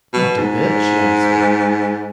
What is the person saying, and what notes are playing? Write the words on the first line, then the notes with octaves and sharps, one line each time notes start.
"Not a bit," she answered.
B2
G#2